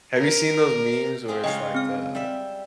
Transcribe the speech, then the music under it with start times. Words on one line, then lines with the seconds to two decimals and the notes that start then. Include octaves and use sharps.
Have you seen those meme's where it's, like, uh
0.18 A#4
1.28 C4 F4 G#4
1.44 C#3 G#3 F4 D#5 G5
1.75 C4 F6
2.15 G3 E5